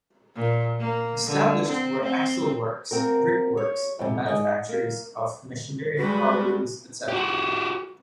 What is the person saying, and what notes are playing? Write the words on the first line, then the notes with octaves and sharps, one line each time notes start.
Established were axle works, brickworks, and manufactories of machinery, car wheels, etc.
A#2
A#3
D3
C4
C4
A#3 C4 F#4 A#4
C#5
F2 G#2 C3
G#2 D#5
A#3
G3 G#3 F#4 B4
F#4 G4